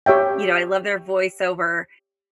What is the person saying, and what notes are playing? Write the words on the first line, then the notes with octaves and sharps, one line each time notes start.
you know, "I love their voiceover,"
G4 C#5 E5 G5